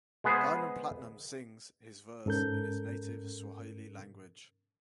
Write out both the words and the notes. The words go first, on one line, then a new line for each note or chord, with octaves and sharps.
Diamond Platnumz sings his verse in his native Swahili language.
G#3 B3 G#4 B4 C5
G#2 C#4 A4 A#4 G6